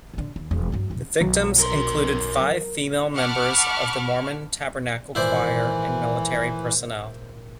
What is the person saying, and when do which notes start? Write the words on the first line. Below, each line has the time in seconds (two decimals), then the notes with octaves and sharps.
The victims included five female members of the Mormon Tabernacle Choir and military personnel.
0.14 A1 D3
0.36 D#2
0.51 E1 F#3
0.72 G2 F#3
0.90 E1 A1
1.21 B1 F#3
1.58 F#2 A#4 C6
3.16 F#5 A5 B5 C#6 D6 F6
5.15 G#1 A#2 E3 E4 C5 D5 E6